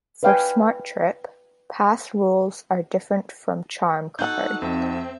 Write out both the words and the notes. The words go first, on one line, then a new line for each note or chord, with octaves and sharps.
For SmarTrip, pass rules are different from CharmCard.
B4 D5 F5 G5 G#5
D#4 F#4 A4 F#5 G6
F2 C4 E5